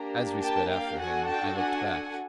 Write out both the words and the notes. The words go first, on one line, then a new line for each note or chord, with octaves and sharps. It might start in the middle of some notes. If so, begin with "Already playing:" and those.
As we sped after him I looked back.
Already playing: A#3 D4 G4 A#5
G5 A5
F5 G5
D4 F#4 A4 F#5 G#5
G5 A5
F#5 G#5